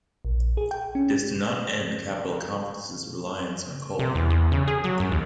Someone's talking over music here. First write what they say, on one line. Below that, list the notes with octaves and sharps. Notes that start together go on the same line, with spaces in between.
This did not end the Capitol complex's reliance on coal.
A#1
G#4
G5
C#4
C3
E2
E2
C#3
G#4
F#3
F#2
D#2